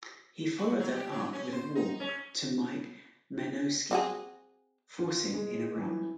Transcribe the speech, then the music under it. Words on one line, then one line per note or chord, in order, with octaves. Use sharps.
He followed that up with a walk to Mike Menosky, forcing in a run.
F#4
F#3
G4
F#3
C#4
C5
D#4
C#4
C4 F#4 G#4
F4
G#3
E3